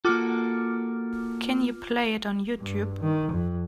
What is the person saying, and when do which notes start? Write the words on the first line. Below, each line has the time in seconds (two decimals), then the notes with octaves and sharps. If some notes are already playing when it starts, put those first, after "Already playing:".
Can you play it on Youtube?
0.05 A#3 F4 F#4 A4 D6 F6
2.59 G2
3.02 D#3
3.32 F2